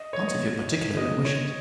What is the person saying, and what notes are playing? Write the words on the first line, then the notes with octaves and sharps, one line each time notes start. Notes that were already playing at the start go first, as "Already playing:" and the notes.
"Not if you particularly wish it."
Already playing: D#5
C#5
D#5
C#5
D#5
C#5